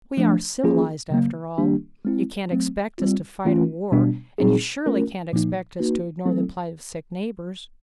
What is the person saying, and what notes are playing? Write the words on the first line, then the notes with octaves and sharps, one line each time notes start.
"We are civilized, after all. You can't expect us to fight a war--and you surely can't expect us to ignore the plight of sick neighbors?"
F3 A3 D4
F3 A#3 C#4 F4 G#4
C#3 F#3 A#3
D#3 G3 A#3 D4 G4
G#3 C4 E4
F#3 A3 C4
G3 C4 F4
E3 A3 C#4 F4
B2 G3 B3 D4
A#2 G3 C4 D#4 G#4
A3 C#4 F4 A#4
A#2 F3 A#3 D#4
A#3 D#4 F#4 B4
F#3 A3 C4 E4 A4